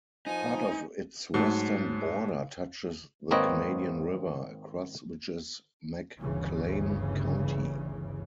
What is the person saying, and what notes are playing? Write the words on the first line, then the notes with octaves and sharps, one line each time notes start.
Part of its western border touches the Canadian River, across which is McClain County.
F3 D#4 G#5
G#2 F#3 A3
G#1 A#3 C4 B4 C#5 D#5
G1 D2 G2 C#3 E3